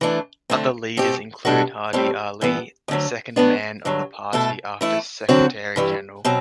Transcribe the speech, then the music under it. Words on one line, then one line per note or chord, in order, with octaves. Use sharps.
Other leaders include Hadi Ali, the second man of the party after secretary general.
E3 A3 D4
D3 A3 C4
B2 A3 C4 G4
B2 G3 D4 F#4 A4
A2 G3 C4
G2 E3 B3
D2 D3 F#3
A2 E3 B3 D4
G2 D3 F#3
B2 A3 E4 A4
E3 A3 E4
D3 F#3 C4 F#4
G2 E3 G3
B2 F#3 C4